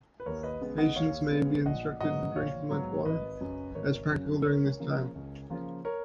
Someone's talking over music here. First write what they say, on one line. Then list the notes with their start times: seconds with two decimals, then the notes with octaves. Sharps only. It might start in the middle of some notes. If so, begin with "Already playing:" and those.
Patients may be instructed to drink as much water as practical during this time.
0.20 B4
0.26 D#2 A#4 C#5
0.43 B4 D#5
0.61 C#3 G#3 B3
0.78 D#5 F#5
0.96 D#2 C#5 F5
1.31 C#3 G#3 B3
1.66 A#1 D#5 F#5
2.01 G#2 F#3 B3 D#5 F#5
2.35 A#1 C#5 F5
2.70 G#2 F#3 B3
3.05 G#1 B4 D#5
3.40 F#2 C#3 F#3
3.75 G#1 A#4 C#5
4.10 F#2 C#3 F#3
4.45 C#2 A#4 C#5
4.80 C#3 F3 A#3
5.15 C#2
5.50 C#3 F3 A#3
5.85 A#4 C#5